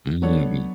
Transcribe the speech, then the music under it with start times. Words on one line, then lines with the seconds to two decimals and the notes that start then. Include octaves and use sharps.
Mhm, we
0.22 F#3 B3 D4 A4 C#5
0.43 F#3